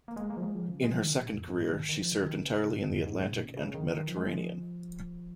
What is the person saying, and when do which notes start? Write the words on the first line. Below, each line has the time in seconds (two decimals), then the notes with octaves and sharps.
In her second career, she served entirely in the Atlantic and Mediterranean.
0.08 A#3
0.16 G#3
0.30 A#3
0.37 F3
0.42 G#3
0.55 F3
0.68 C#3
0.83 G#3
0.92 F3
1.01 D#3
1.11 C#3
1.18 A#2
1.36 F2
1.48 F2
1.53 G#2
1.70 D#3
1.89 D#3
1.96 F3
2.12 C#3
2.21 D#3
2.38 C#3
2.55 C#3
2.71 G#2
2.89 F2
3.06 G#2
3.22 C#3
3.32 A#2
3.40 C#3
3.57 C#3
3.74 D#3
3.91 D#3
4.07 F3
4.17 G#3
4.24 F3